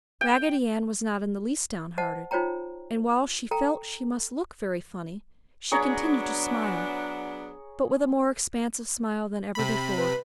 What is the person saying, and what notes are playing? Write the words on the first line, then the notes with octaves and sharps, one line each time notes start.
Raggedy Ann was not in the least downhearted and while she felt she must look very funny she continued to smile, but with a more expansive smile than ever before.
G5
C5 D#5 F#5 A5
D#4 F4 C5 C#5 G5 A#5
A4 G5 A#5
F#3 B3 D4 G#4 C#5 A#5
C3 B5
B4